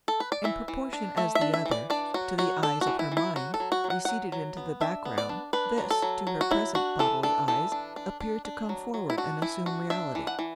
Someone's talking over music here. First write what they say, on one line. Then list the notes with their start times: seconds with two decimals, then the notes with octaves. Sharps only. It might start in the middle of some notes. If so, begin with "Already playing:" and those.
In proportion as the other, to the eyes of her mind, receded into the background, this, to her present bodily eyes, appeared to come forward and assume reality.
0.08 A4
0.20 B4
0.32 D5
0.44 E3 E5
0.68 E3
0.93 D4
1.17 A3 E5
1.35 E5
1.41 D4
1.54 E5
1.66 E3
1.71 D5
1.90 D4 D5
2.14 F#3 F#4
2.38 F#3 F#4
2.63 D4 A4
2.81 F#4
2.87 E3
2.99 E4
3.12 E3
3.17 E4
3.36 F#3 F#4
3.54 A4
3.60 F#3
3.72 F#4
3.84 F#3
3.90 F#5
4.05 F#3 F#5
4.32 F#3
4.57 B3
4.81 D4 E5
5.05 B3
5.18 D5
5.29 D4
5.53 D4 B4
5.78 F#3
5.90 A4
6.02 F#3
6.27 F#3
6.41 F#4
6.51 F#3 E4
6.75 D4 F#4
6.99 E3 A4
7.23 D4 A4
7.48 E3 A4
7.72 D4
7.96 D4
8.20 D4
8.45 D4
8.69 F#3
8.94 F#3
9.10 E4
9.18 D4 F#4
9.42 E3 E4
9.66 D4 F#4
9.90 D4 E5
10.15 E3
10.27 F#5
10.39 E3